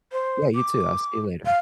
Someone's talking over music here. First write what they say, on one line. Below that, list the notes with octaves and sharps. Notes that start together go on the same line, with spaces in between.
Yeah, you too. I'll see you later.
C5
D6
F5